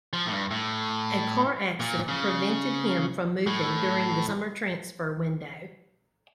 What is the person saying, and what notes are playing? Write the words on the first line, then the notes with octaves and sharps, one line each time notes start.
A car accident prevented him from moving during the summer transfer window.
F3
A2
G2
A2
A#2
C#3
A2